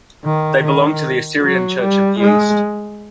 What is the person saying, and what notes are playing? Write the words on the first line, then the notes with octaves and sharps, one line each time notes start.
They belong to the Assyrian Church of the East.
D#3
D#3
F#3
G3
G#3